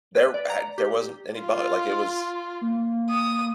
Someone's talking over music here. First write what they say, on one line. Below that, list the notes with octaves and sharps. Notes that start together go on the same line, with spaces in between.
There had there wasn't any bug, like, it was
B4
D5
A#5
G4
F4
A#3
D#6